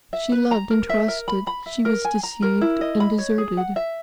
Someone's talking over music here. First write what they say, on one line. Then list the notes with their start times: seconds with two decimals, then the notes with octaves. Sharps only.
She loved and trusted; she was deceived and deserted.
0.13 E5
0.32 B4
0.51 A#5
0.70 A#4
0.89 E5
1.08 A#4
1.28 B5
1.47 B5
1.66 E5
1.85 A#4
2.05 G#5
2.23 A#5
2.42 A#4
2.61 E4
2.81 D#5
3.00 B5
3.18 C#5
3.38 G#4
3.57 F#5
3.76 E5